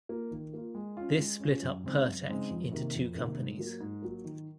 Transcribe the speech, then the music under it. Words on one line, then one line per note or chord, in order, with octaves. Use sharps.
This split up Pertec into two companies.
A#3 F4
D#3
A#3 F4
G#3
C#4 F4
G#3
C#4 F4
F#2
C#3 G#3 C4 D#4
F#2
C#3 G#3 C4 D#4
F2
C3 D#3 A#3
F2
C3 D#3 A#3
G#2
F#3 A#3
G#2
F#3 A#3
D#3